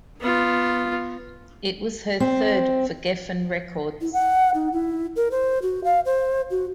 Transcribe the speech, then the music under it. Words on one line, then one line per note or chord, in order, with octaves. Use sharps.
It was her third for Geffen Records.
B3 F4
C4
E4
F#5
D#4
E4
A#4
C5
F#4
F5
C5
F#4